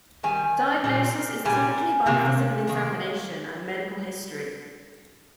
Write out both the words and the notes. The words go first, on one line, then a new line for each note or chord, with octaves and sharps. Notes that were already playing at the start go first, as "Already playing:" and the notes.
Diagnosis is typically by physical examination and medical history.
D#3 G3 G#5
A#2 G3 C4
A#2 G3 G#5
C3 D#3 A#3
D#3 A#3